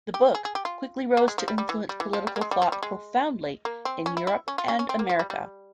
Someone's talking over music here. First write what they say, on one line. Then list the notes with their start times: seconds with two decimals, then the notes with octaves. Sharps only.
The book quickly rose to influence political thought profoundly in Europe and America.
0.14 G4
0.35 G#4
0.45 G#4
0.55 G4
0.65 F4
1.17 A#3
1.28 G#3
1.38 F3
1.48 G3
1.58 G3
1.69 E3
1.89 G3
2.00 E3
2.13 F3
2.27 G3
2.36 A#3
2.41 G#3
2.51 G3
2.62 F3
2.72 G3
2.83 G#3
3.65 A#3
3.85 C4
4.06 C#4
4.17 E4
4.27 E4
4.48 C#4
4.58 F4
4.68 C#4
4.79 C#4
4.89 C4
4.99 A#3
5.09 F3
5.19 G3
5.30 G3